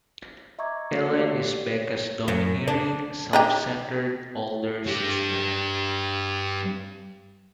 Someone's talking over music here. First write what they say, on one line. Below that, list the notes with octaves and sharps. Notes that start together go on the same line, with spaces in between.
Ellen is Becca's domineering, self-centered older sister.
D#5 E5 A#5 C#6 D6 G#6
A3 A#3 F#4 C#5 C7 C#7
G4 D5 F5
C#5
F#2
D4
D4 D#4 G4
G2 G3